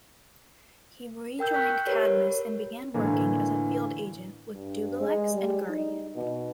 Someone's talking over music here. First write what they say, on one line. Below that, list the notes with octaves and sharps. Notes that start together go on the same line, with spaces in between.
He rejoined Cadmus and began working as a field agent with Dubbilex and Guardian.
A#4 G5 E6 G6
C#6 F#6 G6 B6
G4 A#4 B4 C#5
A2 D3 E3 A#3
G2
G#3
G3
D#4
B2